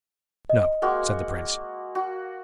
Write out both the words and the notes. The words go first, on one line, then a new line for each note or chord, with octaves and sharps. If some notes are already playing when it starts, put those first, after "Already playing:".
'No,' said the Prince.
D#5
G#3 A#3 F#4
F#4